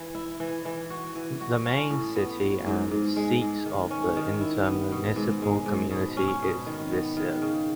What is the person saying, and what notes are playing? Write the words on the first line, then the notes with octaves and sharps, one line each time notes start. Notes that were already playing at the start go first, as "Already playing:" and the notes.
The main city and seat of the intermunicipal community is Viseu.
Already playing: E3
E4
E3
E3
F#4
E3
F#4
C#4
A2
B3
F#3
G#2
G#2
G#3
G#2
D#3
C#4
D#3
E4
B3
B2
G#2
G#3
G#2
B2
C#4
B2
D#3
B3
D#3
C#3